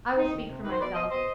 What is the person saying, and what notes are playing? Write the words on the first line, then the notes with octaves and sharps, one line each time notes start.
I will speak for myself.
D#3 C4 D#4
D#3
C3
D#3 B4
C5
B2 B4 D5
B2 C5 D#5
B2 C5 D#5